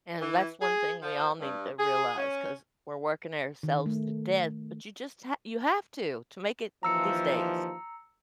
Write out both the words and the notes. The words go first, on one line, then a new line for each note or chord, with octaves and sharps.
And that's one thing we all need to realize 'cause we're working ourselves to death, but you just ha you have to, to make it these days.
E3
G#4
F3
G2
G#4
C#4
D#3
A3
D#2 E3 F3 A#5 E6 C#7